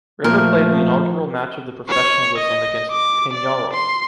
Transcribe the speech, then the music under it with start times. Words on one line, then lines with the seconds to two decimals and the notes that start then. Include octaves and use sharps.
River played the inaugural match of the professionalism, against Peñarol.
0.24 A#2 F3 A3 A#4
1.89 C#5
2.38 D#5
2.91 D6
3.33 D5
3.73 C6